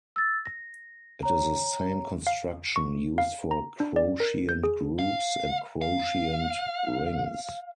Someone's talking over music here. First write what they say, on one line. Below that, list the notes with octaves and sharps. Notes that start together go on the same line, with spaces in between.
It is the same construction used for quotient groups and quotient rings.
E6 A6
A#6
C#5 A#5
F5
C#6
F5
A#5
D4
D5
A#4
G6
G#4
F5
F5